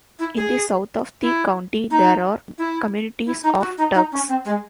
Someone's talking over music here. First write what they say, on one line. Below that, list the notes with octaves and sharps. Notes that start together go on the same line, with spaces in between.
In the south of the county there are communities of Turks.
E4
G#4
E4
D#4
E4
E4
D#4
F#4
D#4
D#4
C#4
C4
G#3